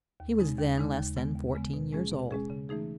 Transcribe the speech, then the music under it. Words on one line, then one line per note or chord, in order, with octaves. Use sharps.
He was then less than fourteen years old.
D#2
C#3 G#3 D#4
D#2
C#3 G#3 D#4
D#2
C#3 G#3 B3
D#2
C#3 G#3 B3
B2
G#3 C#4 G#4
B2
G#3 C#4 G#4
C#3
E3 A3 D#4 G#4